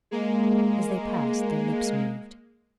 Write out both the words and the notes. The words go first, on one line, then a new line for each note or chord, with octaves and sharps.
As they passed their lips moved.
G#3 A#3